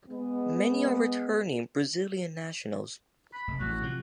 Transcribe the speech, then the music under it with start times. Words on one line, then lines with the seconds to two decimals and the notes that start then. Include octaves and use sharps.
Many are returning Brazilian nationals.
0.10 G#3 B3
3.33 B5
3.48 F1
3.60 A1 F#4
3.82 C3 F3